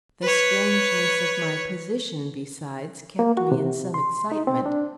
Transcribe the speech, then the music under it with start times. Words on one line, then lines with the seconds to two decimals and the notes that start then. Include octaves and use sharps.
The strangeness of my position, besides, kept me in some excitement.
0.22 B4 C#5
3.19 A#3
3.37 F#4
3.52 C3
3.94 C6
4.32 D#4
4.47 C4
4.66 D4